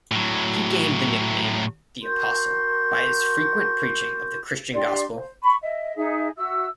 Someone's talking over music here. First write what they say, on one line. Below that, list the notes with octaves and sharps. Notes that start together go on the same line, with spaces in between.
He gained the nickname "The Apostle" by his frequent preaching of the Christian gospel.
A2 F#3
F#4 A#4 C6 G6
D4 G4 D5 C6
C5
B5 C#6
D#5 E5
D#4 G#4 E5
F#4 E5 E6